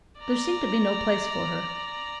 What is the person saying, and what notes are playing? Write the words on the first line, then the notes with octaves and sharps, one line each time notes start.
There seemed to be no place for her.
D5 A#5